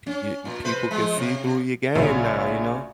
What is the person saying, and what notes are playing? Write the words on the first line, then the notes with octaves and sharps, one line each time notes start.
p g p people can see through your game now, you know?
C#4
A#2
C3 B4 C5
F3 G#3
C3
A#1 C#3 F#3 A3 E5